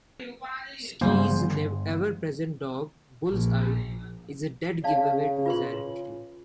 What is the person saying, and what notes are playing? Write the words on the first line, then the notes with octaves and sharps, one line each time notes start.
Sikes's ever-present dog, Bullseye, is a dead giveaway to his identity.
G1 C#3 G3 A#3 C5 G#5
A#1
C#3 D5 F5 A5
F4 B4 C6